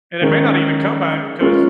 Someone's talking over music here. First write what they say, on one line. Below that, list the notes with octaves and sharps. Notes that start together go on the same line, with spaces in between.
And it may not even come back because
D#3 G#3 C#4 A#4
G#3 C#4 F4 A#4